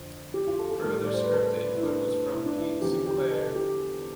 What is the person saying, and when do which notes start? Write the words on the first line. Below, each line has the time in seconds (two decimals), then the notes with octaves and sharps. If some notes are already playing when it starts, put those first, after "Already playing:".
Further script input was from Pete Sinclair.
Already playing: F2 D3 F3
0.34 G4
0.47 F4
0.59 A4
0.71 A4
0.84 A2 G3
1.04 D5
1.14 C5
1.23 B4
1.33 A4
1.76 E4
1.83 D4
2.32 E4
2.46 D4
2.57 E4
2.81 E2 D3 F3 G4
3.06 G4
3.31 A4
3.56 G4